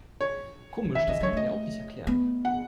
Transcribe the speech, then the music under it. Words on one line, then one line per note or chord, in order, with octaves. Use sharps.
Komisch, das kann ich mir auch nicht erklären.
C#5
E3
D#3 E5
D#3 D#5
F#3 C#5
A3 D#5
B3
F#5